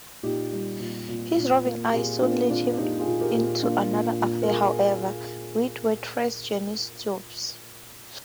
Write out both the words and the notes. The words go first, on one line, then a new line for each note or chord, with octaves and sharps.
His roving eye soon led him into another affair however, with waitress Janice Stubbs.
A#2 D#4 G4
G3
A#2
A#2
A#2
A#3
G4
A#2 F4 G#4
A#3 D4 F4
A#2 D4 F4
A#2 D#4 G4
F4 G#4
A#2
G4 A#4
A#2
A#3 D4 F4
A#2
A#2
A#4
A#2 F4 G#4